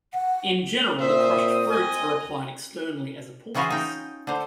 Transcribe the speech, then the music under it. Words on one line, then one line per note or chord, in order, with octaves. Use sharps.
In general the crushed fruits are applied externally as a poultice.
F#5
A#2 C4 C5 E5 D#6
D#5 G#5
C#3 E3 C#4 F4 F#4 G#4
D#4 G5
D3 C5